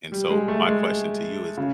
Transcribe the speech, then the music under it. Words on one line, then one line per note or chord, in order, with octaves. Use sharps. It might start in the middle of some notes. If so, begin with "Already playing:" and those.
And so, my question to you is,
G3
G#3
A3
G#3
C#3